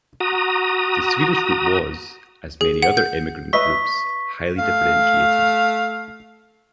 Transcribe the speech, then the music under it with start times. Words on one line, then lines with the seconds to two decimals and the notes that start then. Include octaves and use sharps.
The Swedish group was, as many other emigrant groups, highly differentiated.
0.20 F#4 A#5 D#6
2.61 G#4
2.82 F#5
2.97 G6
3.53 B4 D#5 E5 C#6 B6
4.58 A3 F5